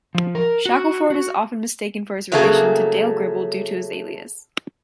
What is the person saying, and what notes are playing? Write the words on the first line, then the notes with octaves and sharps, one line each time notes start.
Shackelford is often mistaken for his relation to Dale Gribble due to his alias.
F3
A#4
F#4
F#4
C#3 F#3 A3 A#3 G#4 A4